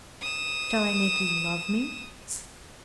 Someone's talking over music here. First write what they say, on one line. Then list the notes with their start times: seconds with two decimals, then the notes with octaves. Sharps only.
Shall I make you love me?...
0.21 D#6 E7